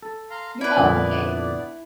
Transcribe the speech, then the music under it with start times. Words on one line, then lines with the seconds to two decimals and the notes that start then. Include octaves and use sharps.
you're oh, okay,
0.03 A4
0.30 F5 A#5 C6
0.61 B3 D4 E4 B4 D5
0.77 F2 A#2 D3